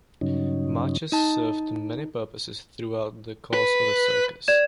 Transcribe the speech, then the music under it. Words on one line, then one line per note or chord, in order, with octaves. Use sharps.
Marches served many purposes throughout the course of a circus.
G2 C#3 F#3 C#4 D#4
D#4 A5
B4
D5 G#6 E7